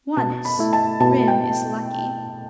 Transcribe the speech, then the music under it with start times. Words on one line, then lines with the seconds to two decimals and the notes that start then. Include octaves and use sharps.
Once Grim is lucky.
0.17 B2 A5
0.45 B5
0.59 A3 E4
0.73 A5
1.00 B2 A5
1.28 G5